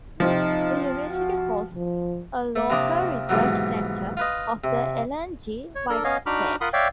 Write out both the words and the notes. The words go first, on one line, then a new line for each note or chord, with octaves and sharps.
The university hosts a local research centre of the Ellen G. White Estate.
C3 F3 D#4
F#4
F3
A3
C3 F3 A#3 D4 D5 D#6
D#2 G#2 B2 E3 F#3
F4 B4 D#5
C3
C#5
D4 A4 A#4
B3 C#4 C#5 D#5 F5
D4 D#4 F#4 B5 D6 F6
F4 A#4 F#5 B5 C6 D#6
C#5 D5 E5 F5 G5